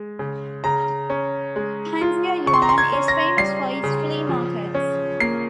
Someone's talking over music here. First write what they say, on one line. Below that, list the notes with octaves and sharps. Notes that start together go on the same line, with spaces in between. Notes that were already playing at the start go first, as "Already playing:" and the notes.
Panjiayuan is famous for its flea markets.
Already playing: G#3
C#3
C#3 A#5
C#4
G#3
F4
C#3 C#6
C6
A#5
C6
G#6
C#4
A#6
G3 C7
C#3
F3
C#4
A#3 C7